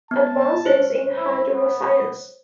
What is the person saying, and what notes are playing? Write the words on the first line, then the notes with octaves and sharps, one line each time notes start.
"Advances in Hydroscience".
B3 A5
C5 C#5
E4
B3